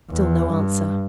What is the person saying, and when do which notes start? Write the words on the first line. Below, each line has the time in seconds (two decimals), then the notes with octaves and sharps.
Still no answer.
0.11 E2
0.51 G2